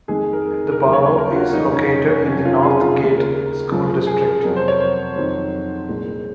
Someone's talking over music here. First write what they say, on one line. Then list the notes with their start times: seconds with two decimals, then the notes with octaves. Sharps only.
The borough is located in the Northgate School District.
0.08 F2 D#3 G#3 G#4
0.33 A#4
0.72 A#4
0.82 D#2 C#3 F#3 C5
0.93 C#5
1.05 C#5
1.17 A#4
1.31 F4
1.35 F#4
1.53 F2 C3 D#3 F#3 D#4
1.72 C#4
2.08 C#4
2.26 F2 C3 D#3 F#3 C#4
2.45 F4
2.63 G#4
2.81 F4
2.99 D#2 C#3 G#3
3.17 A#4
3.71 F#2 F3 G#3
4.07 G#4
4.26 A#4
4.44 F2 C3 F#3 A#4
4.56 C5
4.68 C#5
4.80 C5
5.15 F2 D#3 F#3 C5
5.88 C2 A#2 G#3